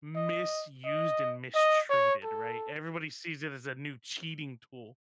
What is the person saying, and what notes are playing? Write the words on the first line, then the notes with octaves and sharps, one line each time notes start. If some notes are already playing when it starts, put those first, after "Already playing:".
misused and mistreated, right? Everybody sees it as a new cheating tool.
D#5
D#5
D#5
C#5
A4